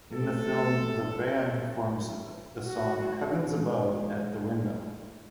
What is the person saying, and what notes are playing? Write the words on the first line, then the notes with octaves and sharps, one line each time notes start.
In the film the band performs the song "Heaven's Above" at the windmill.
A3 A4
F#4
G#3